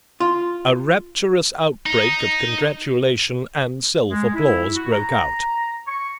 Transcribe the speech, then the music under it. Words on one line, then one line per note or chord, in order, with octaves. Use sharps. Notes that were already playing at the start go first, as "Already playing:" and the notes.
A rapturous outbreak of congratulation and self-applause broke out.
F4
D#4
G#3
E4
F#4
A#5
C#6